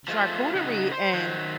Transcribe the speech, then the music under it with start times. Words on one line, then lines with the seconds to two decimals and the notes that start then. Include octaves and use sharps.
charcuterie and,
0.08 F3 G#3 A3 F4
0.55 C#3 D#4 F#4
0.92 C5
1.13 D#3 F#3 C5